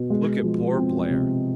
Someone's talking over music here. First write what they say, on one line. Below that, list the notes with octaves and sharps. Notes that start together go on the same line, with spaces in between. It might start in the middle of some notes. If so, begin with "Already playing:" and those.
Look at poor Blair.
Already playing: B2
G#3
F3
C4
C3